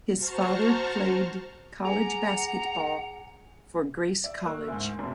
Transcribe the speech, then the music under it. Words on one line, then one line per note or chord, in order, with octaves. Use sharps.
His father played college basketball for Grace College.
F#4 C5 A5 A#5 C#6 F6
G#4 F#5 G#5 A#5
D5 E5
A#3 C#6 E6 F#6
D2 G#2 E5 G#5
F#1 B2